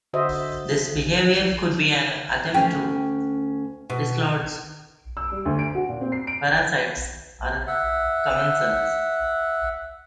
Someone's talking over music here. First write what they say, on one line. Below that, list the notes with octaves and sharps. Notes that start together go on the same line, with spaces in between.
This behaviour could be an attempt to dislodge parasites or commensals.
D3 F#4 C5 D#5 E5
D2 C#4 G5
B2
E6
G3
D2
D7
F#4
A#2
C4
C7
D7
E5 F#5